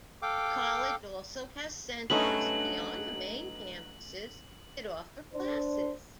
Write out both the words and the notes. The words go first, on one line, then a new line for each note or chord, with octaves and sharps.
The college also has centers, beyond the main campuses, that offer classes.
A4 F5 G5 D6
G2 F#3 A3 C#4 D#4 B4 F#7
D4 C5